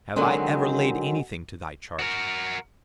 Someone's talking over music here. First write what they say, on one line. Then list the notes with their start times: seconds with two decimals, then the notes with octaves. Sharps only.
Have I ever laid anything to Thy charge?
0.16 D3 D#3 F#3 G#3 C4
1.99 F#4 A#4